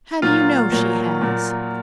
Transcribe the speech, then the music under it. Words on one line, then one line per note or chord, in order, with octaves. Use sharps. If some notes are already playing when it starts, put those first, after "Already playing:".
"How do you know she has?"
A#2 F#3 A#3 F4
A#2 F#3 A#3
A#2 F#3 A#3